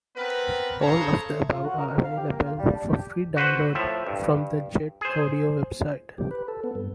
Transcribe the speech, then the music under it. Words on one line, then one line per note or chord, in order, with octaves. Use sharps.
All of the above are available for free download from the JetAudio website.
B3 C4 A#4 B4
C#3 A4 C5 C#5 A#5
A3
F4
F#4
A#4
F2
F5
G4
A#3
F4
G3
D4
G4
F#4 B4 C5 F#5
A2 F3 E5
G2
G#4 C5
G4
B4
A4
B3
G2